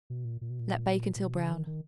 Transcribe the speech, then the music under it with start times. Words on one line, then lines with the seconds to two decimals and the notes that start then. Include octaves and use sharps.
Let bake until brown.
0.10 B2
0.25 A#2
0.41 A#2
0.50 B2
0.60 A#2
1.16 A#2
1.25 B2
1.35 C#3
1.51 D#3
1.67 D#3